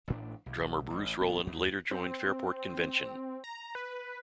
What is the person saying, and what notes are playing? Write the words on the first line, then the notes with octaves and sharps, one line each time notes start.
Drummer Bruce Rowland later joined Fairport Convention.
A1 A2 D4
B1
A1
D#1 B3
D#2
C4
A#5
B4